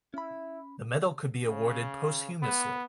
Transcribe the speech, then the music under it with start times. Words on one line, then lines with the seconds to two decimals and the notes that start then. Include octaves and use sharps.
The medal could be awarded posthumously.
0.14 C#4 E4 B5
1.47 C#3
2.42 B3